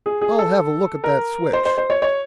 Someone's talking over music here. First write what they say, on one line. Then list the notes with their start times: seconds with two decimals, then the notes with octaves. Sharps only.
I'll have a look at that switch.
0.06 G#4
0.21 G#4
0.39 A4
1.04 A#4
1.53 C5
1.65 C5
1.78 C5
1.90 C#5
2.02 C#5